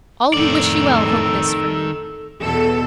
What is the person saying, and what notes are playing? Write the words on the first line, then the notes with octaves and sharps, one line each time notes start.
All who wish you well hope this for you.
F2 A2 D#3 A4 D5
E2 B2 A4